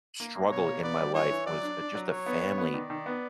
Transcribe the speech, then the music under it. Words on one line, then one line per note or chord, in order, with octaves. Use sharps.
struggle in my life was a just a family
A#3
A#3
B2 C#5
A#3
B3 D5
G3
E3 C#5
E3
F#3 D5
D4
D4
F#3
F#3 C#5
B3
B3
B3
D#3 D5
D#3
B3